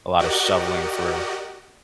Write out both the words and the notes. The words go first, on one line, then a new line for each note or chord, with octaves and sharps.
a lotta shoveling for
F#4 G4 A#4 D5 D#5 F#5